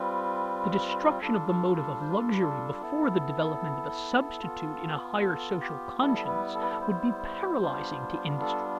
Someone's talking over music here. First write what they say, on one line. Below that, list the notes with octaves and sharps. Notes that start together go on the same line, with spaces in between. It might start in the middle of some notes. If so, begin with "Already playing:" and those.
The destruction of the motive of luxury before the development of a substitute in a higher social conscience, would be paralyzing to industry.
Already playing: G3 C4 F4 B4
G3 D4 F4 A4
A4
A4
C5
B4
A4
B4
A4
B3 E4 A4
B3 F4
A4
G4
G3 B3 E4 A4
B4
A4
B4
A4
C5
G3 B3 D4 F4
A4